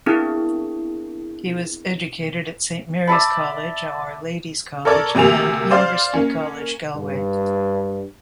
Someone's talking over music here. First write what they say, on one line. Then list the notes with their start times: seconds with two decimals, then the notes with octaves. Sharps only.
He was educated at Saint Mary's College, Our Lady's College and University College Galway.
0.06 B3 C4 D4 E4 G#4 A#4
3.07 D5 E5 A5 B5
4.85 A4 A#4 C#5 D5
5.15 D2 C3 A#3 G#4 F7
5.71 C5 D5 F5 C6
6.13 A#3 C#4
6.97 G2